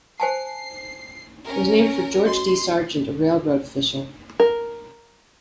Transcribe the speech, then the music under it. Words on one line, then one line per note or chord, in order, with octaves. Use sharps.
It was named for George D. Sargent, a railroad official.
C5 G#5 A5 C7
C#4 A#4
F#4 D#5 C6
A#4